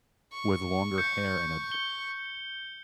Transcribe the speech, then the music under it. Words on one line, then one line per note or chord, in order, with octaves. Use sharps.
with longer hair and a p
C#6
G6 C#7
G7